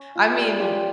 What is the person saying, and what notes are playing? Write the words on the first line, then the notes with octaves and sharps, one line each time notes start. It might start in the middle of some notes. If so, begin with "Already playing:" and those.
I mean y
Already playing: C#4
F4
G3
F4 G4